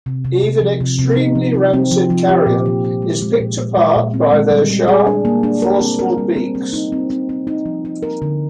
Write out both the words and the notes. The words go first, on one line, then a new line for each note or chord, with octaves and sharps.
Even extremely rancid carrion is picked apart by their sharp, forceful beaks.
C3
C3
C3
F3
C3
C3
D#4
F3
C4
C4
F3
F3
G4
A#2
G4
G4
G#3
G#3
A#2
A#2
G#3
A#2
C4
G#3
G3
G3
G#4
D4
A#3
D4
A#4
C4
A#4
G3
C4
C4
D#4
C4
C4
C4
D#4
F3
D#4
A#4
D3